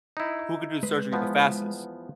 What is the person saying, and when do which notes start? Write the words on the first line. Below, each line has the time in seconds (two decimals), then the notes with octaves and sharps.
who could do surgery the fastest?
0.17 D#4 E4
0.83 G#3 B4
1.12 E2 F3 B3